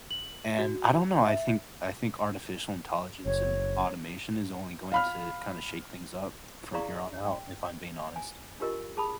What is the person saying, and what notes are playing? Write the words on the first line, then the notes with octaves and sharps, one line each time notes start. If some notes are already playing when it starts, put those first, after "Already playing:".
and I don't know, I think I think artificial intelligence and automation is only going to kinda shake things up from here on out, if I'm being honest.
F#7
F#4
E5
F#1 C#5
F5 B5 F6
E4 G#4 D5 F5 A#5 C#6
G5
G#5
D4 F4 G4 A#4 D#5
G#4 A5 B5 D#6